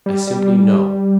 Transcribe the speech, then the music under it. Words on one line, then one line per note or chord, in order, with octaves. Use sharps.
I simply know.
G3
G3